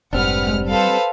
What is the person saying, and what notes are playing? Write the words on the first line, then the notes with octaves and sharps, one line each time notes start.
Oh, yeah.
F1 G#2 G3 C4 D4 B4 F#5 F6
A4 B4 C5 F5